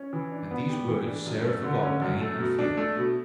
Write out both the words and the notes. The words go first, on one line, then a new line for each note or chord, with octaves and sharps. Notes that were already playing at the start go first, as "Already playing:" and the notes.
At these words Sarah forgot pain and fear.
Already playing: C#4
E3
D4
B3
G4
E3
D4
F#2
A3
D3
C#4
F#2
A3
B2
D4
A3
B2